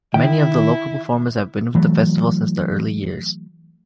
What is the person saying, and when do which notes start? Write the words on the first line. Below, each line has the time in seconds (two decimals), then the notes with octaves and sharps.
Many of the local performers have been with the festival since the early years.
0.14 D#3 E4 G5
1.75 E3 F#3 A3